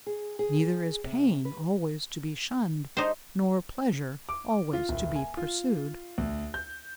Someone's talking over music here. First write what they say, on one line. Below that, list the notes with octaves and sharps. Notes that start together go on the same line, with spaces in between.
Neither is pain always to be shunned, nor pleasure always to be pursued.
G#4
G#4
G#4
C3
B4
G#3 D4 D#4 G4 C5
D6
F4
D#1
G#5
F4
D2
G6